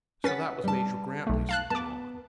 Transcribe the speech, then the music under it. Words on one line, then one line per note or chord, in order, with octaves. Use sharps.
"So that was Major Grantly?" said John.
C#4 B4 F#5 A6 B6
G3 A5
B1 A3
F5 A5 F#6
B3 A5 D6